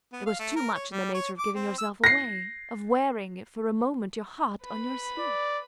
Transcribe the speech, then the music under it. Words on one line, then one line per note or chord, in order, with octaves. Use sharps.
It was too much in the nature of giving yourself away, of wearing--if for a moment--your heart on your sleeve.
B3
F5
A3
A#4
C#5
G3
C#5
D6
C4
E6
A#6 C7
B4 B5
D5